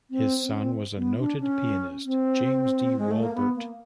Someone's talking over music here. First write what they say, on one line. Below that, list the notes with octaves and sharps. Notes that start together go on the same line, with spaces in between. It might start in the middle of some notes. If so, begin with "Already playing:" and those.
His son was a noted pianist, James D. Walbert.
C4
C4
C#4
C4
B3
D4
C#4
C4
G#3
A3
A#3
B3
A#3